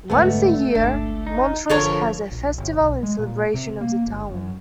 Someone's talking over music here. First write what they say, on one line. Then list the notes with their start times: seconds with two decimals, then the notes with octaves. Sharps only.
Once a year, Montross has a festival in celebration of the town.
0.10 F1 D2 G#2 G#3 A3 B3
0.75 G1 C#2 D4
1.27 D#4
1.70 F#1 D3 F3 A4 A#4 C#5
2.32 A#1
2.58 G1
2.78 B1
3.03 G#3
3.19 A#2
3.54 C3
3.81 A#3
4.07 G1
4.30 F#2